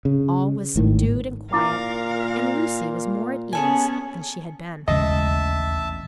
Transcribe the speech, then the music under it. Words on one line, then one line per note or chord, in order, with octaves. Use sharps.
All was subdued and quiet, and Lucie was more at ease than she had been.
C#3
G#1 A2 D#3
A#2 E4 A#4 F5 D6
B3 C#4 G#4 A4 G#5
E1 A1 D#2 C#3 G#3 D#5 E5 A5